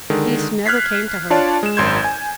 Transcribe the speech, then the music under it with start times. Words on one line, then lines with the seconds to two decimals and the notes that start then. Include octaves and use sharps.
Peace never came to her.
0.10 D3 D#3 G#3
0.66 F6 F#6 G#6 B6 C7
1.30 D4 F4 C#5 D5 A5
1.63 G#3 E7
1.77 G#1 F#2 C6 G6 G#6
2.04 G#5